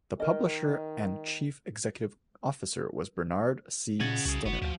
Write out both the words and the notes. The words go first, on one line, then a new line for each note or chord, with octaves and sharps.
The publisher and chief executive officer was Bernard C. Stinner.
D#3 A#4 D#5
A#2 C#3 D#5 F#5 G#6 A6
C2 F#4 G#4
F#1 B3 F#4
D2 F3